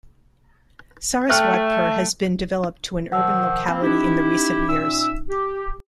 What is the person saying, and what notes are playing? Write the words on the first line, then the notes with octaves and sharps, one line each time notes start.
Saraswatpur has been developed to an urban locality in the recent years.
A3 G5 F6 F#6
B2 D#3 F3 F#5 E6
A#3 C4 B5
C#4 D#4 E4 G4
A#2 E5 E6
G4